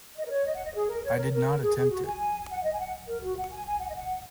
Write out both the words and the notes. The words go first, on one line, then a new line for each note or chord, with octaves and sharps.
I did not attempt it.
D#5
A#4
C#5
D#5
F#5
D#5
G#4
A#4
C#5
A#4
A#4
G#4
G#4
F#4
G#5
F#5
D#5
G#5
F#5
A#4
F#4
F#5
G#5
G#5
F#5
D#5
F#5